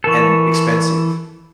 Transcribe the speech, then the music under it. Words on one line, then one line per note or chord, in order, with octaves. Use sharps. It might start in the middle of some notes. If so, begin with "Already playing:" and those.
and expensive,
E3 A4 A#4 C#6